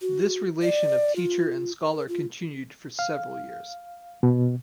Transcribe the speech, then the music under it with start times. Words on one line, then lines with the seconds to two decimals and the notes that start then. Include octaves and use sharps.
This relation of teacher and scholar continued for several years.
0.01 F#4
0.62 D5
1.16 F4
1.86 A#4
2.08 F4
2.99 F5
4.23 B2